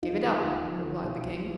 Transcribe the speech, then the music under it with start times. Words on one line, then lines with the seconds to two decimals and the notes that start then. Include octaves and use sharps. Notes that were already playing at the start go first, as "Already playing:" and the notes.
"Give it up," replied the King.
0.03 D#2 D#4 F4
0.23 D3 F3
0.43 D#2
0.64 D3 F3
0.85 C2
1.04 B2
1.25 C2